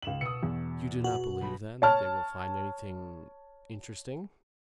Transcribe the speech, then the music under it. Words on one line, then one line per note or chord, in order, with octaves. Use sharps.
"You do not believe, then, that they will find anything--interesting?"
C#2 E7 F#7
B2 D#6 E6 C#7
E2
F#4
B1 B5 A#6
C#5 A5 F6